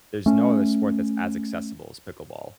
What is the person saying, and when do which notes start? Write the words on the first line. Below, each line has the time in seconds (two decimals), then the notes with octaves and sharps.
there's no other sport that's as accessible as pickleball.
0.26 A3 C#4